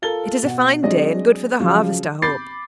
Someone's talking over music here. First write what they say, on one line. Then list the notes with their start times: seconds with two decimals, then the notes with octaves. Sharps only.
It is a fine day, and good for the harvest, I hope.
0.02 F4 A4 A#4 A6 G7
0.43 B2 F#5
0.83 F#3 G#3 C4 D4 D5 D#5
1.59 C#3 F3 F#3
2.22 B5 D6 G6 A6 C7